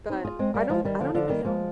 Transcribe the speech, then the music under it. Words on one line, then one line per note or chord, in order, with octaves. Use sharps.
but I don't I don't even know.
C4 D#4
F4 G#4
G#3 C4
G3 A#3
F3 G#3
D#3 G3
D3 F3
D3 F3
D#3 G3
F3 G#3